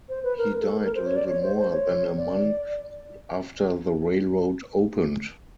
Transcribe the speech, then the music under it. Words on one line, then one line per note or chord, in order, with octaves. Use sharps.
He died a little more than a month after the railroad opened.
C5
B4
A#4
A4
A#4
C5
C#5
D5
C#5
C5
C5
C#5
D5